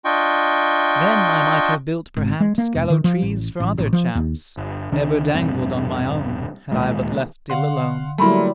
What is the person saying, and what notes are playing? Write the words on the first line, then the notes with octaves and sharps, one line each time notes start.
"Then I might have built perhaps Gallows-trees for other chaps, Never dangled on my own, Had I but left ill alone."
D4 F4 D#5 G5 C#6
G#1
G#3
A#3
E1
D#3
F3
A1
A1
A1
F3
D#2
G1
C#2 D#3 D4
E1 A#1 G2 C4
D1 D#2 A#2 G#3
D3 F5 F#5 C6
F#3 G3 A3 A#3 E4 G#5 B5 C6